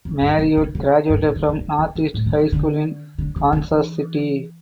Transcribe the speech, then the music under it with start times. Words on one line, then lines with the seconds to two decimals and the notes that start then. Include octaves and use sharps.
Marriott graduated from Northeast High School in Kansas City.
0.05 F2
0.21 G2
0.39 D3
0.57 C#3
0.75 C#3
1.10 G2
1.23 A#2
1.36 D3
1.49 D3
1.61 C#3
1.78 D3
1.95 C#3
2.14 A2
2.26 D3
2.39 E3
2.52 D3
3.18 D3
3.36 C#3
3.53 D3
3.71 E3